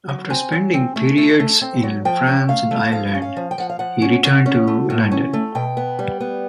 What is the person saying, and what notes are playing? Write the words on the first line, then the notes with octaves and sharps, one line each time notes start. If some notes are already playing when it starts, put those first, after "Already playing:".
After spending periods in France and Ireland, he returned to London.
F#3
C4 G#5
F#3
C4
A3
A3
A3
C4
F#3
F3 G5
C#4
A3 F5
A3
F3 F5
C#4
F5
F3
G5
F3 F#5
F5
F3 F#5
C#4
C#4
C#4
A3
A2
C#4
A3
B2 G5
B3
G3
B3